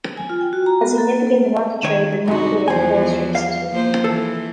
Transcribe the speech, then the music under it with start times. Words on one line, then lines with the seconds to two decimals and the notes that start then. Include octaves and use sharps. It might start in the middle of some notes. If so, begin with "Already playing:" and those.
A significant amount of trade with North Korea flows through the city.
0.17 G#5
0.30 F4
0.41 G5
0.53 F#4
0.66 A#5
0.81 B3
0.98 A4
1.11 A#3
1.27 A#3
1.84 D#3 C#5
2.28 G2 C3 D#4 F#4
2.68 E2 E3 F3 C5 G#5
3.35 F5
3.72 F3 A#3 C5
4.04 E3 A4